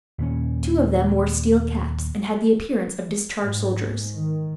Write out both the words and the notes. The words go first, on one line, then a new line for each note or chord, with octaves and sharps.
Two of them wore steel caps, and had the appearance of discharged soldiers.
D#2 A#2 C#4
G#2
D#3